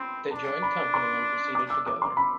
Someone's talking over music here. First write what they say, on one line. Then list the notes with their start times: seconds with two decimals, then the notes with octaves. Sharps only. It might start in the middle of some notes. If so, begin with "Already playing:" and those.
They joined company and proceeded together.
Already playing: C4 B5 C6
0.31 D4 A5
0.62 B5
0.94 C6
1.55 D6
1.70 E6
1.86 D6
2.02 C6
2.17 B5